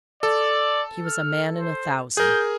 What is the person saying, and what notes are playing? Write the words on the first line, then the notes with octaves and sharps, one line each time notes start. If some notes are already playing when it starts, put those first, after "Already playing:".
He was a man in a thousand.
A4 D5
F6
C5
G#4 A#4 G6